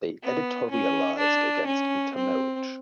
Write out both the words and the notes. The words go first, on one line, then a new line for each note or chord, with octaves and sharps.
They editorialized against intermarriage.
B3
C#4
D4
C#4
C4